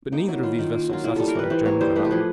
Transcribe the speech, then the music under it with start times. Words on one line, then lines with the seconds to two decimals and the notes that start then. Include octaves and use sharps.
But neither of these vessels satisfied Joam Garral.
0.12 A#3 D#4
0.28 F#3 E4
0.43 D#3 F4
0.58 D#3
0.74 A#3
0.90 F#3 F4
1.04 A#3 E4
1.16 G3 A4
1.28 A#4
1.35 E3 B4
1.50 E3 C5
1.65 A#3 C#5
1.81 G3 C5
1.96 A3 B4
2.05 G4
2.11 F3 G#4